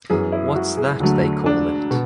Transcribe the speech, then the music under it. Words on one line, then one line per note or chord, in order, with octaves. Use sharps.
What's that they call it?
F#2 E3 B3 G#4
E4
F#4
G#4
D2 D3 F#3 A3
D4
B2